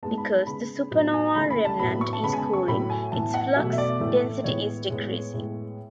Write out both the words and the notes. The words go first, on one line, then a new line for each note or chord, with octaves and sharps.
Because the supernova remnant is cooling, its flux density is decreasing.
G#2 G#3 B3 A5
B5
A5
C#3 G#3 B3 B5
A2 F#3 B3
G#5
C#3 E3 A3 B5
B5
A5
A2 F#3 B3 B5
C#6
A5
C#3 G#3 B3 B5
G#5
A5
C#6
A2 F#3 A3 B5
G#5
A2 E3 B3 A5
F#5
B2 F#3 A3 E5
E5
D5
A2 E3 A3
A2 E3 G#3 B3 C#5
A2 G#3 B3
A2 G#3 B3